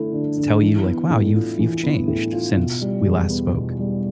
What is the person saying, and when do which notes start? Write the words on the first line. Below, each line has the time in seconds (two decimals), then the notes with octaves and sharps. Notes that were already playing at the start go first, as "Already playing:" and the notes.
t tell you, like, "Wow, you've you've changed since we last spoke?"
Already playing: D3 A3 E4
0.13 D3
0.37 D3
0.61 E3
0.86 B3
1.10 A2
1.34 F4
1.59 E3
1.83 B3
2.08 A2
2.33 F4
2.57 B2
2.81 G3
3.06 E2
3.30 B3
3.55 B2
3.79 G3